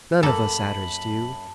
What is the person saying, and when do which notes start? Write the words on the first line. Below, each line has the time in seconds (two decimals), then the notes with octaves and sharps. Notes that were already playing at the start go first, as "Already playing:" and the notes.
None of us Adders do.
0.23 F#2 A#3 A4 A5 B5